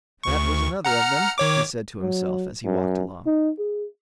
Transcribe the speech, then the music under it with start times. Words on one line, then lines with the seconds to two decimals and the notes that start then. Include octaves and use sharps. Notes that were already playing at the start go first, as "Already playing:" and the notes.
'That was another of them', he said to himself, as he walked along.
0.23 D2 C#6
0.85 F#5 A#5 F6
1.38 D#3 C#5 D6
2.02 F#3
2.65 F#2
3.26 D#4
3.59 G#4